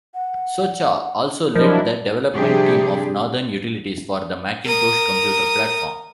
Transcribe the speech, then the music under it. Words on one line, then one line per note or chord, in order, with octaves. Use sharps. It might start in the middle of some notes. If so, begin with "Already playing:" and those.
Socha also led the development team of Norton Utilities for the Macintosh computer platform.
F#5
F3 F#3 D4 E4 A#4 D#5
C3 F3 G3 D4 G4 G#4
A#4 D#6